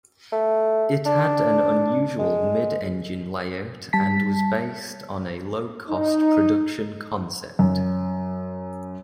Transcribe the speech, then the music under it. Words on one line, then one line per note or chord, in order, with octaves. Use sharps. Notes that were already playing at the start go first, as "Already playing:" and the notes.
It had an unusual mid-engine layout and was based on a low-cost production concept.
A3
D4
G#3
G3 A5 B6
D#4
F#2